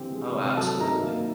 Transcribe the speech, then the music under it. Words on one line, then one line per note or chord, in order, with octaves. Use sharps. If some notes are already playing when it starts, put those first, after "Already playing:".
Oh, absolutely.
Already playing: D3 E3 C4 G4
G#3
C3
F#3 A4 A5
D#4 A#4 A#5
A#3